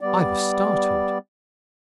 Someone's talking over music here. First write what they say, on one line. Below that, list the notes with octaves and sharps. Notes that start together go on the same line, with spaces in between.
I was startled.
G3 B3 D5